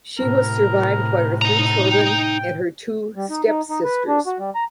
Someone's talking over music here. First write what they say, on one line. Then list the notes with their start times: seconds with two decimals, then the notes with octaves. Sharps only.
She was survived by her three children and her two stepsisters.
0.19 A2 C3 A#4
1.42 D#4 A#5
1.92 G5
3.16 G3
3.30 D#4
3.48 D#4
3.70 D#4
3.84 B4
4.08 D4
4.26 F#4
4.39 G3
4.55 A#5